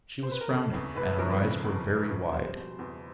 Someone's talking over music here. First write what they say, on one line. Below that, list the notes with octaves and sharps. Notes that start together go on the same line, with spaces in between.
She was frowning, and her eyes were very wide.
C5
B4
A#4
C#3 A4
E2
E1 B4
B4
F3 A#4
B4
C#3
E2
E1
F3
G3 C5
B2
E2